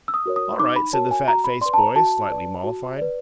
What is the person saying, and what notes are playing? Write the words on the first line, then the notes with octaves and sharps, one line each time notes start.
"All right," said the fat-faced boy, slightly mollified.
E6
D#6
F#4 A#4 C#5
D#6
D#4 D6
B5
F#4 A#4 C#5 A5
G#5
F#4 A#5
B5
B4 D5 C6
A5
A#5
F#4 A5
B4 D5
F#4
B4 D5